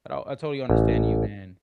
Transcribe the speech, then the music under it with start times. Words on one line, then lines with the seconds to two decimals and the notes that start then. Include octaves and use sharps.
Oh, I totally understand you, and
0.70 A1